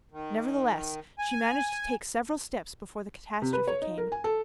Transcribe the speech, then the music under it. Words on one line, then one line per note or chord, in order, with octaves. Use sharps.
Nevertheless, she managed to take several steps before the catastrophe came.
D#3
G#5
C3
B4
C#5
D#4
A#4
G#5
A4